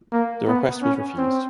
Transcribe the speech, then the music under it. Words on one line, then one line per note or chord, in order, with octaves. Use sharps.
The request was refused.
A#3
B3
C#4
C4